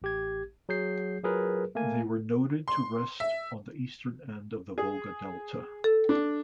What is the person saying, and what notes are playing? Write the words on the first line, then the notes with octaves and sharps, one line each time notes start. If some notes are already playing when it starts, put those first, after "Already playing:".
They were noted to rest on the eastern end of the Volga delta.
A1 G4 G#6
F#3 G#4 G6 C7
F#3 F4 G#4 A#4 B4
A3 A#3 G#5
C6
E5
G#4
A4
D4